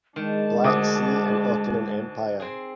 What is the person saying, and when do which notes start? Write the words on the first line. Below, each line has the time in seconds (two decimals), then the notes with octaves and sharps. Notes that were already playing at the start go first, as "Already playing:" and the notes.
Black Sea and Ottoman Empire.
0.16 D#3 G#3 D4 A5
0.64 D2 D6 D#6
2.40 C4 G#4